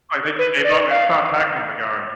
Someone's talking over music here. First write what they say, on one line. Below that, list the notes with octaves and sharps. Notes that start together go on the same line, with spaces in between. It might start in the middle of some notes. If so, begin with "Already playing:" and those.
Like, they just gave up and stopped tackling the guy.
B4
D5
F5